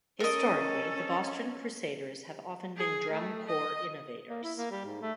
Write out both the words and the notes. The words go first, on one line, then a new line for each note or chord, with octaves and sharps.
Historically, the Boston Crusaders have often been drum corps innovators.
C#4 A4 A#4 D#5
G#4
A3
D#5
A#3
E4
A#3
G3
G#2
A3